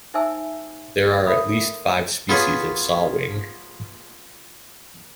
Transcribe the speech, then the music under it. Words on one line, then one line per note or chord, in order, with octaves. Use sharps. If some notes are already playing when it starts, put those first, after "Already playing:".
There are at least five species of saw-wing.
D#4 C5 E5 G#5 A5 E6
A4 A#4 D5 E5 B5 D#6
B3 F4 G#4 B4 C#5